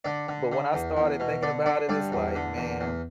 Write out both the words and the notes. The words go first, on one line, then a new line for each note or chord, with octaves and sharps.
but, when I started thinking about it it's like, man,
D3 D5
D3
D3
E2
E2
B2
D3 D5
D3 D5
G2 D5
E2
D3
E2
E2